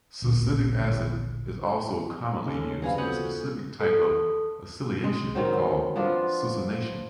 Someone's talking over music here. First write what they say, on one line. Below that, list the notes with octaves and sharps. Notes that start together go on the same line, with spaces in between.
Succinic acid is also commonly used in a specific type of acylation called "succination".
A1 D2 A#2
C#3 G#3 C#4 A4
F#2 C3 F#3 G#4 B4 D5 F5 B5
B3 C#4 F4 F#4 A4 C5 D#6 F#6
A4
G#3
D#3 F#3 C4
F3 B3 D4 F4